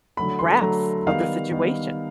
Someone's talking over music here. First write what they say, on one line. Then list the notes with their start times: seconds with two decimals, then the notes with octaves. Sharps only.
grasp of the situation
0.17 D3 F#3 A3 B5
0.39 C6
0.61 D3 F#3 A3 A#5
1.07 D#3 G3 B3 F5
1.51 D#3 G3 B3